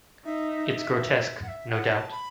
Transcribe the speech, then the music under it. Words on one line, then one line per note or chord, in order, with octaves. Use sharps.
It's grotesque, no doubt.
D#4 E5
F#5
E5
F#5
A5
B5